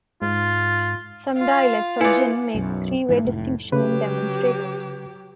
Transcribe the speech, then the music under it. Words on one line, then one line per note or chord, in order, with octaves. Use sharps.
Some dialects of Jin make a three-way distinction in demonstratives.
G#2 F4
F4 F5
E4 B4 D5 G#5 C#7
B1 F#2
G#2 E3
F1 A2
C#3 F#3 G4 B4